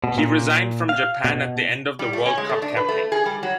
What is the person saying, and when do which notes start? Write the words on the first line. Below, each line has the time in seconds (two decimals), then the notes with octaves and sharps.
He resigned from Japan at the end of the World Cup campaign.
0.04 B2
0.18 A#2
0.89 F5
1.24 B2
1.99 G3
2.13 A3
2.26 C#4
2.38 G#3
2.49 A3
2.62 D4
2.77 B4
2.89 A3
3.12 G#4
3.26 G3
3.43 F#3